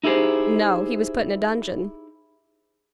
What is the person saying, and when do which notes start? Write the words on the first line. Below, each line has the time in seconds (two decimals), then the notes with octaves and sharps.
"No; he was put in a dungeon."
0.03 D#4 E4 G4 G#4 C5